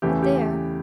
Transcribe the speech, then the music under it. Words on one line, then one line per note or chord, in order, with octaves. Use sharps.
But there!
E2 C#3 E3 A3 G4
G4